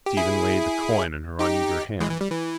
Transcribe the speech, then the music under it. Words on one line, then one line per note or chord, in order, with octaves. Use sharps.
Stephen laid the coin in her uneager hand.
G4
E4 G#4
D#4 G4
E3 G#3
E3
G3
E3